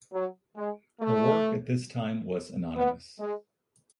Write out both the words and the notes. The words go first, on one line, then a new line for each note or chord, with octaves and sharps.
Her work at this time was anonymous.
F#3
G#3
A3
B3
G#3